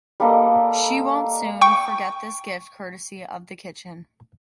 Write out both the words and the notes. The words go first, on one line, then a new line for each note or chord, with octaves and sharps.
She won’t soon forget this gift courtesy of the kitchen.
G3 A#3 A4 D#5
G5 C#6